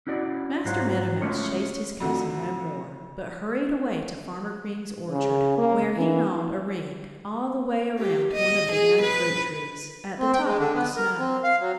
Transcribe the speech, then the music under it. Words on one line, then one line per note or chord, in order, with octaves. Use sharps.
Master Meadow Mouse chased his cousin no more, but hurried away to Farmer Green's orchard, where he gnawed a ring all the way around one of the young fruit trees, at the top of the snow.
C#4 E4 F#4 D5
G#2 F#3 F#4 C5 F5
G#3 A3 C#4 F4 C#5 D#5
F2 A2 D3 F#3
C#3
A#3
E3
G4
D#5
G#4
B4
C4
G5
G#3
D3
B3
A#4
C4
F5
F#3